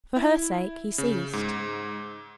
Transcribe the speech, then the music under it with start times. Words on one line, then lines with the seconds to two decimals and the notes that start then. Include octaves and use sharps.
For her sake he ceased.
0.16 E4
0.98 C#3
1.33 G#2